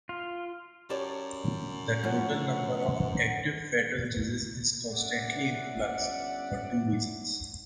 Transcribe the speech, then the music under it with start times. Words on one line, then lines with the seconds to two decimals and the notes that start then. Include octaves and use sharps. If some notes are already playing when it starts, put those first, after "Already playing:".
The total number of active federal judges is constantly in flux, for two reasons.
0.09 F4
0.90 F#2 G4 C#5 D5 A5
2.03 A2 F3 F#3 C#4 F#5
4.92 G1 C#4 D5 E5 F#5